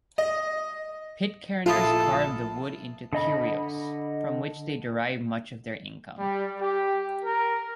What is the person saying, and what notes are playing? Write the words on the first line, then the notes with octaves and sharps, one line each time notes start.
Pitcairners carve the wood into curios, from which they derive much of their income.
D#5
A#1 E4 F4 A4 D#6
D3 D#5 B5
G3
G4
A#4